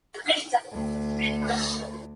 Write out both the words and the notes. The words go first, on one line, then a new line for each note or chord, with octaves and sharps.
Two cars of Satyaki were going to be delivered on the day of Mahalaya.
D2